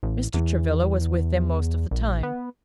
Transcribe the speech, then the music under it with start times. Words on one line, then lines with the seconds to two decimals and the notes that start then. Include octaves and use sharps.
Mr. Travilla was with them most of the time.
0.03 A1
0.34 E2
1.91 A#1
2.23 B3